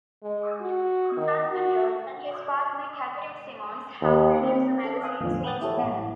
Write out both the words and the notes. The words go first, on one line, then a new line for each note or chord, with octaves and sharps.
Duncan Roads and his partner Catherine Simons have produced the magazine since then.
G#3
F#4
D#3
F#4
D#2
C4
C#4 A4
F5 G#5 C6 D#6 F#6
E2 A2 D3 F3
B4 F#5 G5 D#6 A6
E4 G4 A4 C#5
A1